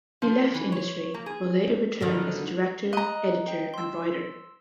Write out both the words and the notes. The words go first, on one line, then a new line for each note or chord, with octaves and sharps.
He left the industry but later returned as a director, editor, and writer.
F3
E3
C#5
A#3
G#4
B2 D3 D#3
D#5 A#5 F#6
G5
C6 E6